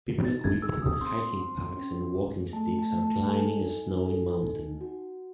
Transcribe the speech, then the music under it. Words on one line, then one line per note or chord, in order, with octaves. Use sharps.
People equipped with hiking packs and walking sticks are climbing a snowy mountain.
D#4 A6
G#6
G#4 E6
D#6
C4 C6
C4
C#4
G#4
A3 A5
A5
A3
A5
A4 G#5
D#4
A4
D#4
F#4